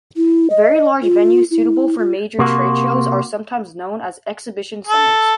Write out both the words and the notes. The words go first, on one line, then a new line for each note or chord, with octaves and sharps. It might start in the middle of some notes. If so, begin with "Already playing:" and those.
Very large venues, suitable for major trade shows, are sometimes known as exhibition centres.
E4
D#5
F4
E4
F4
C3 A#3 F#4
A4